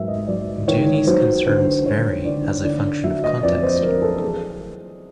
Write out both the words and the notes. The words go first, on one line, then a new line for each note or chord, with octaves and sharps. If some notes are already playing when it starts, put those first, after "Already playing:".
Do these concerns vary as a function of context?
Already playing: G#2 F#3 A#4 E5
D#5
F#3 D5
D#3 C#5
F#3 C5
D3 C5
D3 C#5
D3 D5
D3 D5
F#3 E5
D#5
F2 D5
C5
F#3 A#4
A4
E3 G#4